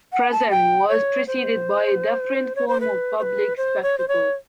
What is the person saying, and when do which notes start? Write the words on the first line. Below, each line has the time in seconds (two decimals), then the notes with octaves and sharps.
Prison was preceded by a different form of public spectacle.
0.13 F#5
0.32 A5
0.50 G5
0.89 C#5
1.27 C5
2.56 C#5
2.68 C5
2.81 B4
3.19 C5
3.23 B4
3.57 C5
3.83 C#5
3.98 C5
4.08 C#5